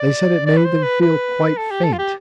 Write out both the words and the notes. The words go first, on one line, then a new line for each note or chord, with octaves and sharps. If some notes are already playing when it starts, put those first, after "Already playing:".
They said it made them feel quite faint.
Already playing: D5
D5
B4
C5
B4
B4
A4
G4
A4
F4
G4